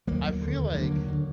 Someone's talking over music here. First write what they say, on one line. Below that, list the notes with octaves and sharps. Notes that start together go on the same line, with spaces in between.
I feel like
D#2 F#3 A#3
D#2
D3
D#2
D3 F#3 A#3
D#2
D3